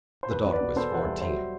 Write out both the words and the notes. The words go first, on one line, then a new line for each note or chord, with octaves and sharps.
The daughter was fourteen.
C5
E2 B4
B3
B4 D5
B2
B3 A4 C5
E2 F#5
C5 E5
G3
F#3 C5 E5